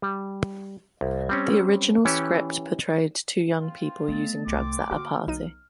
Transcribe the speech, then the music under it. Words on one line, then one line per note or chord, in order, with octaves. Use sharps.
The original script portrayed two young people using drugs at a party.
G3
C2
G3 C4 C#4
E3 C#4 G4 C#5 A5
C4 F4
A3 B3 C#4 A6
C2 C4 D6
D3 A#3 F#4 F6
B1 D#4 D#7